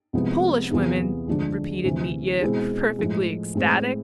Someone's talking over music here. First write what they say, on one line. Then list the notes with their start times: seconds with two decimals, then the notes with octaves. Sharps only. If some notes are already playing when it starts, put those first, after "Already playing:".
"Polish women?" repeated Mitya, perfectly ecstatic.
0.13 C2 C3 F3 G#3 B3
0.71 E2 C3 E3 B3 F4
1.28 D2 D3 F3 G#3 D4
1.84 D2 C3 E3
2.41 B2 G#3 C4 E4 G#4
2.99 A2 F3 G#3
3.55 A2 G#3 C4